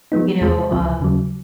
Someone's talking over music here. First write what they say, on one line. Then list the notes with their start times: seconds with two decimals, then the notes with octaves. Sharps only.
you know, um,
0.12 F3 G#3 B3 D#4
0.41 E2 C3 E3 G#3
0.71 C#2 C3 F3
1.00 D#2 C#3 F#3